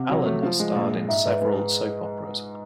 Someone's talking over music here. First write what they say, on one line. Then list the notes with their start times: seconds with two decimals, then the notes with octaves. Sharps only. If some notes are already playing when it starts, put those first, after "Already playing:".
Allan has starred in several soap operas.
Already playing: C3 F#5
0.09 F#3
0.26 A3
0.42 F3 F5
0.59 G#3
0.75 A#1
0.92 A#1
1.09 G#2 E5
1.25 G#2 B4
1.41 G#3 B4